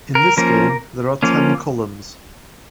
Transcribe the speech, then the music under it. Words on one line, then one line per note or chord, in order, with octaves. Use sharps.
In this game, there are ten columns.
A#4
F3 A#3 C#4 A#4
F3 A#3 C#4